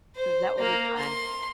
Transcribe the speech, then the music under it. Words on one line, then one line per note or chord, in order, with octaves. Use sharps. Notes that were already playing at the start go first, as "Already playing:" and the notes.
That will be fun.
C5
A#3 A#4
C6